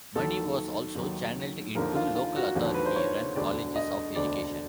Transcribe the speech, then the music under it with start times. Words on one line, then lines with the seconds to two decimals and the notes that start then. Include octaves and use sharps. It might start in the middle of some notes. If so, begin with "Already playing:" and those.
Money was also channelled into local-authority run colleges of education.
0.15 D#2 D#3 F#3 A4
0.95 D#2 D#3 F#3
1.75 D#2 D3 F3 A#4
1.95 F4
2.15 F4
2.36 F#4
2.55 D#2 D3 F3
2.74 B4
2.86 C5
2.96 C#5
3.35 E1 D2 D3 D5
3.76 D#5
4.15 E1 D2 D3 D5